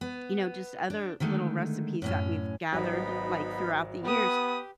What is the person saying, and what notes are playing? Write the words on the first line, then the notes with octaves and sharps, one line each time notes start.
you know, just other little recipes that we've gathered, like, throughout the years,
B3
D4
D3 D#3 G#3 A3
F#2 A2 C#4
G#1 F#3 B3 D#4 B5
B3 G4 B4 D#6